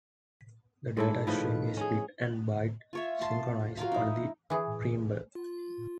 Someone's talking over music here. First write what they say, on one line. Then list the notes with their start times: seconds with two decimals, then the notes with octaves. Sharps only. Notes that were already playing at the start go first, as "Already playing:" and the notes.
The data stream is bit and byte synchronized on the preamble.
0.97 G#2 E4 A4
1.27 A2 D#3 F3 B4
1.77 C#4 G#4
2.93 F4 C#5 E5
3.21 A5 C6
3.77 F#3 F4 A#4 F5
3.92 D#4 E4
4.50 E3 G#4
5.35 F4